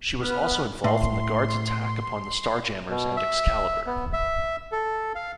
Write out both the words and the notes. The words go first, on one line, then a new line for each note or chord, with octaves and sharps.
She was also involved in the Guard's attack upon the Starjammers and Excalibur.
B3 B4 F6
A2 C6
B2
E5
B3
E5
A4
F5